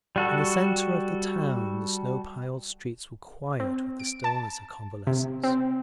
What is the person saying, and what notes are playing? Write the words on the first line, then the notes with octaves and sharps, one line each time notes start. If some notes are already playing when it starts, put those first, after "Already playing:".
In the centre of the town the snow-piled streets were quiet with the stillness of convalescence.
G3 F#4 A4
C4
D7
A5
C3
C4